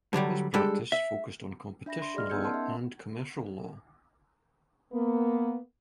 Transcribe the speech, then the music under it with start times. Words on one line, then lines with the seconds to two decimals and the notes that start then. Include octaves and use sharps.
His practice focused on competition law and commercial law.
0.13 G2 D3 F#3 G3
0.54 G3 G#3 D4 G4 A4
0.92 E5
1.86 D4 E5 B5 A#6
2.02 C6
2.14 G4 G#4 D5 D#5 F6
2.30 B3 D#4 E6 G6 G#6 C#7
2.42 B3 C#4 A#4 F#5 A5 C6
2.54 D#5 E5
4.93 A#3 B3